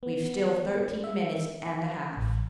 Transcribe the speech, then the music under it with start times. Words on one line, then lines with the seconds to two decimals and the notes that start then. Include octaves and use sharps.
"We've still thirteen minutes and a half."
0.03 B3
1.04 E5
2.17 A1